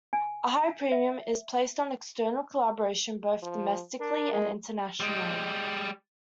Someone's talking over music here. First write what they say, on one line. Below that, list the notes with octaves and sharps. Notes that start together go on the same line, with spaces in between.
A high premium is placed on external collaboration both domestically and internationally.
G#5
E5
F3
D4 A#4
G#3
G3 G#3